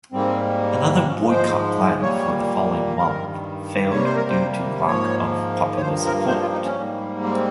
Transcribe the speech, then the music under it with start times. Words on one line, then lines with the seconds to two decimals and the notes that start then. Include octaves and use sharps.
Another boycott planned for the following month failed due to lack of popular support.
0.12 G#2 G3 A#3 C4
1.07 G#2 F3 G#3 C#4
1.31 C5
2.02 A#2 G3 A#3 C#5
2.97 G2 D#3 G3 A#4
3.92 C3 G3 A#3 C#5
4.04 C5
4.16 A#4
4.29 C5
4.87 G#2 F3 A#3 C#5
5.77 C#5
5.81 G2 F3 A#3 C5
6.05 A#4
6.28 C5
6.41 F4
6.53 D#4
6.65 C#4
6.76 G#2 G3 A#3
7.23 C4